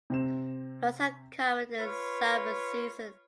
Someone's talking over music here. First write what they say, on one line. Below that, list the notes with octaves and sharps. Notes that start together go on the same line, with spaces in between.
Floods are common in the summer season.
C3 C4 E7
F4 B4 C#5